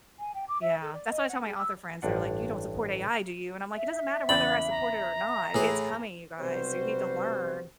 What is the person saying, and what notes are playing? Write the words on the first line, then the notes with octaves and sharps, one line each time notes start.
Yeah. That's what I tell my author friends, they're like, "You don't support AI, do you?" And I'm like, "It doesn't matter whether I support it or not, it's coming, you guys, so you need to learn."
G#5
G5
D6
E5
A4
D5
D#5
F#5
G#4
E6
A1 G2 D4 F#5
E5
E2 C#3 D5 B5 A6
A#5
A2 E3 E4 G#4
B1 C3 G3 F#4 B4 C5